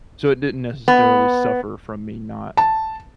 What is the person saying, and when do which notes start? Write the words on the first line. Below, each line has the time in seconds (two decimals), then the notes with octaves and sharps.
So, it didn’t necessarily suffer from me not
0.88 B3
2.57 A5